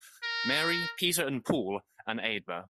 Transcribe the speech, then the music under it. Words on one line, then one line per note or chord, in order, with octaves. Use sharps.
Mary, Peter and Paul, and Eadburh.
A#4